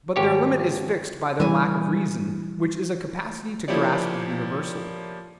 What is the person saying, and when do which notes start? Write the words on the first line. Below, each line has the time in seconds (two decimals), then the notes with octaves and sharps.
But their limit is fixed by their lack of reason, which is a capacity to grasp the universal.
0.16 G#1 G4 C#5
1.40 E3 G3 G#5
3.68 F3 A#3 E4 G4 C#5 D5